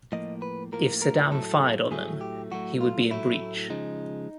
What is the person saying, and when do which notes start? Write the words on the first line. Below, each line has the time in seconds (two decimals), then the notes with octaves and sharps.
"If Saddam fired on them, he would be in breach".
0.12 A2 F3 A#3 D#5
0.42 B4
0.72 A2 F3 A#3 A#4
1.02 A#4
1.31 A2 F#3 A3 A4
1.91 A2 F#3 A3 G#4
2.21 G4
2.51 A2 F#3 A3 F#4
2.81 F4
3.11 A2 F#3 A3 E4
3.70 C#3 F3 G#3 D#4